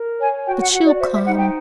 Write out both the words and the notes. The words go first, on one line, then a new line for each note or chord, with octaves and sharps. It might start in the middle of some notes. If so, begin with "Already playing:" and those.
But she'll come.
Already playing: A#4
C#5 G#5
F#4 G5
F#5
F#4 F#5
D5
C5 E5
E5
D#4 F#5
G5